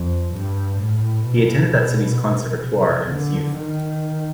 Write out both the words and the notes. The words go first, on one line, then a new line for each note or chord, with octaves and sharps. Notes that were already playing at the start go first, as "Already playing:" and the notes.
He attended that city's conservatoire in his youth.
Already playing: F2
G2
A2
B2
C3
D3
D#3